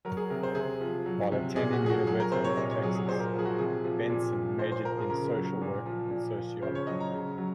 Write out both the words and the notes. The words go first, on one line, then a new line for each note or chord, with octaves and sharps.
While attending the University of Texas, Benson majored in social work and sociology.
F#3 A#4
G#4
C3 A#4
C5
C3 G#4
F3
F#3
C3
A#2 G#4
F#4
F3 G#4
F#4
F#3 G#4
A#4
C3 C5
C#5
A#2 D#5
C#5
F#3 G#4
G#4
A#2 C5
A#4
F3
G#4
F#4
C3 G#4
F3
A#2
F3
A#2 C5
C5
F3 A#4
G#4
C#3 A#4
A#4
F#3
A#4
A#2
F3
A#2
F3
C#3 C5
C#5
F#3 D#5
A#5
C#3
F#3